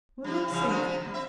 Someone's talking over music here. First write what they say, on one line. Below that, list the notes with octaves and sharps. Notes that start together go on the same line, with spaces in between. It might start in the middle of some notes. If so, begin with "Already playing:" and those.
We will save him.
F3 G3
C3 E3 G3
C3 F3 D4
C3 F3
D3 G3
C4 E5